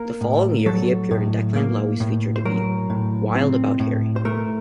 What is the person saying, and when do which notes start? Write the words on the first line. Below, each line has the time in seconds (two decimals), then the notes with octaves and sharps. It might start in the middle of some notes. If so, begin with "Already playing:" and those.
The following year, he appeared in Declan Lowney's feature debut, "Wild About Harry".
Already playing: A#3 A#4
0.21 A2
0.66 F#3 A4
1.11 A2
1.56 A#3
2.00 A2
2.36 C5
2.45 F#3 A#4
2.90 A2
3.35 C4
3.80 A2
4.16 C5
4.25 A3 A#4